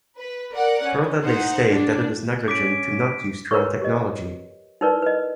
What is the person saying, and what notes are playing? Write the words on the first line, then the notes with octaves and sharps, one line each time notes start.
Further they state that it is negligent to not use drone technology.
B4
A#4 D5 F#5
C#4
D#4 C5 F#5
D4
C#4 D6 B6 D7
A#4 B4 C#5 C#6
G4 D#5
D#4 E4 A#4 B4 D5
B4 D#5